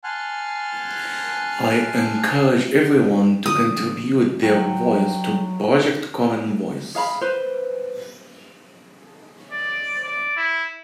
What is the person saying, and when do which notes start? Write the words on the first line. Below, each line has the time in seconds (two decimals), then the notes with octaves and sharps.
I encourage everyone to contribute their voice to Project Common Voice.
0.04 F#5 G#5 A5 C6 F6 F#6
3.46 D3 F3 D#6
4.43 F#3 G5
6.95 G#4 F5 A#5 B5
7.21 B4 C5
9.52 D5
10.04 D5
10.37 E4